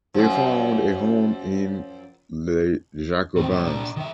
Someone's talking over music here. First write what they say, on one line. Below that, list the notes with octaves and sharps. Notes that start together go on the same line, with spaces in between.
They found a home in "Les Jacobins".
F#2 F3
A2 C4
E2 A2
A#2 D4
D#3 E5